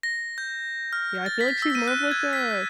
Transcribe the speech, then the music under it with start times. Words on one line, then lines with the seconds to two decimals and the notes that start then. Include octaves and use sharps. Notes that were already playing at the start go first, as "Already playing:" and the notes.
Yeah, I feel, like, she's more of, like, a
0.03 A#6
0.38 G6
0.93 F6
1.26 A6
1.41 B6
1.62 E6
1.75 D#7
1.88 F#6
2.11 G#6
2.33 B6